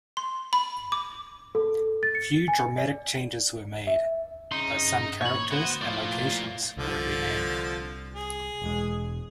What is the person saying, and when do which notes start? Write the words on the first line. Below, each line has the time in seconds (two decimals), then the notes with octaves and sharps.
Few dramatic changes were made, but some characters and locations were renamed.
0.17 C6
0.53 B5
0.92 D6
1.55 A4
2.03 A6
2.15 C#7
2.48 G#5
2.78 D5
3.87 E5
4.52 C2 C#3 D#4 C6
5.21 A#2 E3 C#5 B5
5.51 D2 B3 F#4 C5
5.81 A2 F3 F4 D5
6.77 C2 D3 F3
8.14 G#4
8.62 E1 G#3